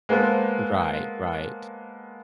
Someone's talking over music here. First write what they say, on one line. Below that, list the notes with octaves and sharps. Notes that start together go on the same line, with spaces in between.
Right, right.
G#3 A#3 B3 A4 C5